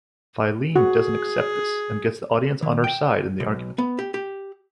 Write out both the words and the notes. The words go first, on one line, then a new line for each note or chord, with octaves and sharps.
Phileine doesn't accept this and gets the audience on her side in the argument.
F#4 G#4
D#3
G5
B1
B3
G4
G4